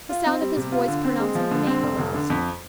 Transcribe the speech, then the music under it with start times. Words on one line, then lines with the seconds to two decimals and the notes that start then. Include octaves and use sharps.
The sound of his voice pronouncing her name aroused her.
0.09 F4
0.26 C4
0.41 G3
0.57 C3
0.72 F4
0.88 D3
1.04 C4
1.20 G#3
1.35 F3
1.51 D3
1.67 C4
1.82 F1
1.99 F1
2.14 D3
2.30 F2